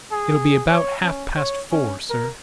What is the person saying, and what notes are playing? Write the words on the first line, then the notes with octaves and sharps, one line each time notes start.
"It'll be about half-past four, sir."
G#4
C#5
C#4
C#5
C#4
A#4